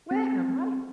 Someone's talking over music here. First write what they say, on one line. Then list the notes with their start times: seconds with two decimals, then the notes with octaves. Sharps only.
"Where am I?"
0.11 C4